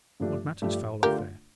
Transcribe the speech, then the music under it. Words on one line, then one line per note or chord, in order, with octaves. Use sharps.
What matters foul or fair?
G2 F3 A3 D4 G4
G2 F3 A3 D4 G4
D3 A3 D4 F4 G4 A#4